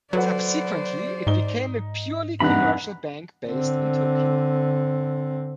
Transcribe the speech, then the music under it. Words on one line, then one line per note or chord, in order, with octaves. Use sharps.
Subsequently, it became a purely commercial bank based in Tokyo.
F#3 A4 B4 C5 D5 F#5
G#2 D#4 G7
E2 G2 C3 D#4 F#5 B5
D3 C4